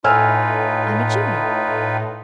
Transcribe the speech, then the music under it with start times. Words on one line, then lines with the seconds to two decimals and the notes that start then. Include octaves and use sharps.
I'm a Junior.
0.04 A2 D#4 F4 B4 G#5 E6 F6